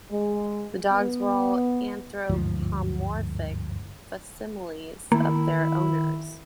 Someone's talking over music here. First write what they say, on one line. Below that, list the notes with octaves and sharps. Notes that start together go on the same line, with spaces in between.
The dogs were all anthropomorphic facsimiles of their owners.
G#3
B3
G1 D2 G#2 F3
D#3 A#3 E4